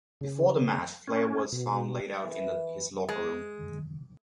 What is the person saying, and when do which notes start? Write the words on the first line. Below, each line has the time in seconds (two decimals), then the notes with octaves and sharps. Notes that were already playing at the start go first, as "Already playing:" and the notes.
Before the match, Flair was found laid out in his locker room.
0.21 C#3
1.07 C#4
1.52 B2
2.22 E3
3.09 G#3